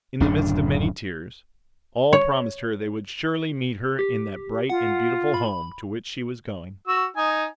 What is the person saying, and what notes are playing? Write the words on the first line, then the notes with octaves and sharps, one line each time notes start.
In the midst of many tears all promised her they would surely meet her in that bright and beautiful home to which she was going.
D1 F#2 C#3 D4
C#5
G4
F4 F#5
B5
F#4 E6
D#4 G#5